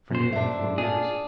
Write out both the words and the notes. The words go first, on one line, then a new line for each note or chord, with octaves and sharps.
"For nearly four years."
F#2 C5
D4 E5
D4 F4 G#4